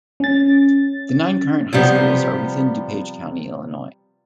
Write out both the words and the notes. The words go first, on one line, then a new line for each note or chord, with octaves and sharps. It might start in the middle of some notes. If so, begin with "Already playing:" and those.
The nine current high schools are within DuPage County, Illinois.
C#4 A6
C3 F3 G3 B3